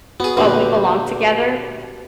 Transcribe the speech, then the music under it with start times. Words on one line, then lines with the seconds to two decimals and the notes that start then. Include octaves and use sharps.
uh, "We Belong Together"
0.20 B3 F#4 G#4
0.37 E2 A#2 D3 G4 B4